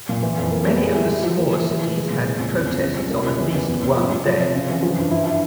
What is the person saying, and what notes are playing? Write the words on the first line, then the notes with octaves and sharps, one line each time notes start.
Many of the smaller cities had protests on at least one day.
A#2
E3
F2
A#3
G3
G#3
E4
E4
F3
A#3
E3
E4
E4
G#3
A#2
C4
C#2
E2
C4
C#2
G3
A#3
C#2
E3
E2
E2
C#3
F3
F3
F3
C3
C#3
E3
F3
G2
E4
E4